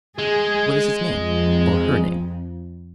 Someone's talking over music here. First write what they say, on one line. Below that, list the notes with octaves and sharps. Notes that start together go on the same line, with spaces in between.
"What is his name--or her name?"
G#3 G#4
F2